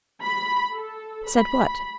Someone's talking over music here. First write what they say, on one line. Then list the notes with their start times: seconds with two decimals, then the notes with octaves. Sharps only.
"Said what?"
0.22 B5
0.73 A4
1.29 B5